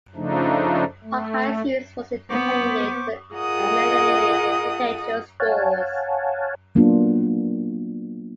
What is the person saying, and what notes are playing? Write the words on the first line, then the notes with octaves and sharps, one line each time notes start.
Hawk-Eye's use was intended to eliminate contentious scores.
C#3 F3 A3 D4 D#4
A3
B3 C5 C#6 D6
F4 G#4 A#4 D#5 F#5 D#6
C#5 F5 F#5 G#5 A5
F#3 A#3 B3 D4 F4